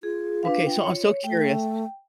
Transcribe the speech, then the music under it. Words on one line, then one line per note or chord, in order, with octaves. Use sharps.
Okay, so I'm so curious
F4 G#4
D4 B4 F5
G5
C#5
A3 G5